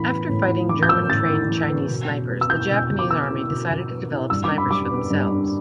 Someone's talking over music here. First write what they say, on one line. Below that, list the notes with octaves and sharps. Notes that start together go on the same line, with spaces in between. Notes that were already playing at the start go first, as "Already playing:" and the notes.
After fighting German-trained Chinese snipers, the Japanese Army decided to develop snipers for themselves.
Already playing: A2 E3 E4 B5
B3
A2
E4
E3 D6
G6
B3 E6
A2 A6
E4
E3
B3
B2
B2
B3
E6
E4 G6
B2
B2
D6
B3 E6
E4
B2
B2
B3
E4
G2 E6
D6
D4
B5
G3 D6
B3
G2
D4